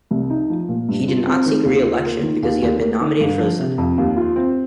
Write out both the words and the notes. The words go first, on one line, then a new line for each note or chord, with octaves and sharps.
He did not seek reelection, because he had been nominated for the Senate.
C2
D#4
F3
A#2
G2
F4
C4
D#3
D#2
F4
A#3
D#3
D#2
D#2
A#3
D#3
G1
F3
C3
F2
D#2
F4
C4